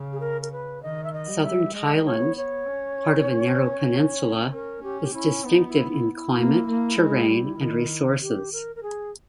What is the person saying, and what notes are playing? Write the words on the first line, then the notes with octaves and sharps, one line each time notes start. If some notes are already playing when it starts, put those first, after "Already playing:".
Southern Thailand, part of a narrow peninsula, is distinctive in climate, terrain, and resources.
Already playing: C#3
G#4
A#4
A#4
B4
D#3 D#5
E5
D#5
G3
E5
G#3 D#5
C#5
B3
C#5
C#4
C#4 A#4
C#4 G4
G4
C#4 E4
B3 D#4
E4
E4
E4
A#3
A#3
G#3
G3
D#3
G4
A#4
A#4
G#4